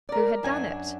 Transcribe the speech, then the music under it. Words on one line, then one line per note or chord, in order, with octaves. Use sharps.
Who had done it?
A#4 D5
F#2 D4 G#5